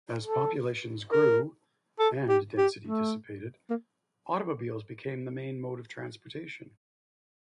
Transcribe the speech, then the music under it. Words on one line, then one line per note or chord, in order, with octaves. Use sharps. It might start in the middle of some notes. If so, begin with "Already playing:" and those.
As populations grew and density dissipated automobiles became the main mode of transportation.
A4
A#4
A4
G4
G4
A3
A#3